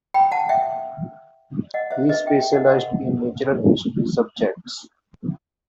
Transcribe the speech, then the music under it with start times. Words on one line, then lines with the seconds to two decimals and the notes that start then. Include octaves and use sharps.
He specialised in natural history subjects.
0.14 G5 B5
0.32 F#5 A5
0.49 E5 G5
1.74 D#5 F#5
1.91 C5 E5
2.09 B4 D#5
2.26 E5 G5
2.39 E5 G5
2.53 D#5 F#5
2.67 D#5 F#5